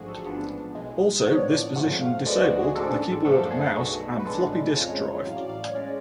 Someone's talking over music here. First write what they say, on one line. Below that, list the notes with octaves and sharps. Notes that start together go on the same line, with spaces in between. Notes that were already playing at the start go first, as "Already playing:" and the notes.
Also, this position disabled the keyboard, mouse and floppy disk drive.
Already playing: A1 G#2 F3 A3 D4 F#4 G#4
A4
A1 G#2 F3 B3 D4
B1 B2 G#3
A1 A2 F3 B3 D4 C#5
D5
G#1 G#2 F3 A3 F#5
F5
D2 D3 F3 G#3 B3 D5
F#4
F#4
G#4
A1 G#2 G#3 D4 A4
F#2 D3 F3 A3 D4 A4
G#4
B1 B2 A3 F#4
B4
A1 A2 G#3 D4 A4
F2 C#3 F3 G#3 C#5
A1 A2 F#3 F5
D5
F5
C#5
G#3 C#4 D5